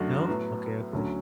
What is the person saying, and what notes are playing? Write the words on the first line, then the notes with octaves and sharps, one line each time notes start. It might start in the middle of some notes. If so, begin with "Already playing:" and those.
No? Okay, okay.
Already playing: F#2 D3 A3 D4 F#4
A2 F#3 B3
D2 D3 F#3 C#4